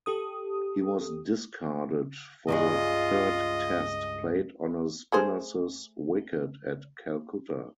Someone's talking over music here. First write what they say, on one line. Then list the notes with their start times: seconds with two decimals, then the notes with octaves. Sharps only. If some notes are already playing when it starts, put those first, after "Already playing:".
He was discarded for the third Test, played on a spinners' wicket at Calcutta.
0.06 G4 A4 D#6
2.48 C#2 G2 G#3 F4 D#5
5.12 A3 G#4 C5